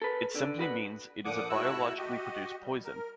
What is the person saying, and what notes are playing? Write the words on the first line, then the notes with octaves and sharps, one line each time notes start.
It simply means it is a biologically produced poison.
A4 B4
D3
F#4 B4 F#5
A#2 D3 F3 F#5 D6 D#6
G#2 A3 E4 F#4 E6 F#6
F#4 G4 D#5
G3
A#4